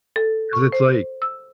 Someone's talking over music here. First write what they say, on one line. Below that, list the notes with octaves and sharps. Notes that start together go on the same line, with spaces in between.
'Cause it's, like
A4
C#6
C5
E6